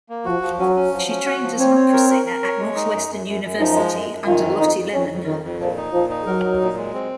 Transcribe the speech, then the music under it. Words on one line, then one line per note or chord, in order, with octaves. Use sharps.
She trained as an opera singer at Northwestern University under Lotte Lehmann.
A#3
F3 F#4
F3
F#3 C#4
C#4
F3
C#4
F#4
F3
C4 C#5
C#5
A#4
A#4
A#4
C#5
G#3
D#4
F#2
F#2
F#2
F#2
F3 D#4
G#3
F#2
F#2
D#3 F4
F2
F2 D#4
F2
F2 C#4
F2
F2 D#3
F2
A#2 F3
D#4
A#2 F3
D#4
F#3 A#4
D#4
A#2
G#3
C4